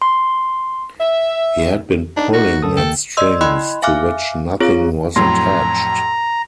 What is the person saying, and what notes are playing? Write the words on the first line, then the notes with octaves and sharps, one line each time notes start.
He had been pulling at strings to which nothing was attached.
C6
E5
D4 D#4
F#4
F#2 A4 D#6
D#2 A4 G5
D5 D#5 C6 E6
E4 D#5 G5 B5 C6 F#6
E5 F5 G#5 D6 F6 F#6
C4 F4 G#4 C#5
F2 A2 F#3 A#5 C6